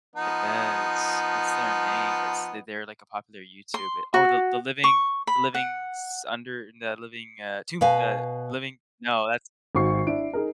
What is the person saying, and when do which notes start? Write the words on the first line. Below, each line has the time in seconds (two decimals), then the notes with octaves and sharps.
Yes. What's their name? It's they they're like a popular YouTube oh, the the living the livings under the living, uh tomb uh, living o, that's
0.16 F3 B3 D#4
3.74 C6
4.14 F#4
4.84 C#6
5.27 B5
5.54 F#5
7.81 B2 B4 F5 G#5
9.75 G#1 D#4 F#4 C#6 C7
10.07 D4 E4 D7
10.33 D#4 G#4 A#4